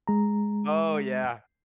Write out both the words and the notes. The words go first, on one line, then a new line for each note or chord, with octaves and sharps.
Oh, yeah.
G#3 A#5